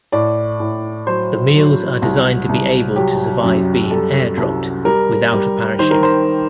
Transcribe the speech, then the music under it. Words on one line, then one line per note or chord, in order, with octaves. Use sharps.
The meals are designed to be able to survive being air-dropped, without a parachute.
A2 D5
A2
F#3 C5
F#3
C2
C2
F#3 G4
F#2
G3 A4
C2
G3 A#4
G3
D#3 C5
A#4
C5